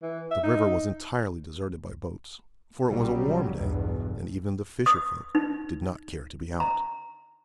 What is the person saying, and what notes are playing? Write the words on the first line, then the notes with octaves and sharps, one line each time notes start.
The river was entirely deserted by boats, for it was a warm day and even the fisher folk did not care to be out.
E3
E5
D#4
B1 C#3 F#3 G3
B1 E2 G2
D#6
D#4
A#5